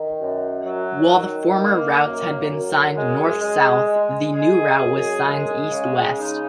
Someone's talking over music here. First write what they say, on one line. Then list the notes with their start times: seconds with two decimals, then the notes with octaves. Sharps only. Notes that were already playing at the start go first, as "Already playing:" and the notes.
While the former routes had been signed north-south, the new route was signed east-west.
Already playing: D#3
0.20 F#2
0.66 F#3
1.12 D#3
1.58 A#3
2.03 F#2
2.50 F#2
2.95 G#3
3.41 G#3
3.87 G#3
4.33 G#4
4.79 F#2
5.25 G#3
5.70 C#3
6.17 D#4